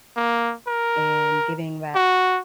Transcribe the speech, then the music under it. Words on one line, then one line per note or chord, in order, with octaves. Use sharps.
and, giving that
A#3
A#4
F#4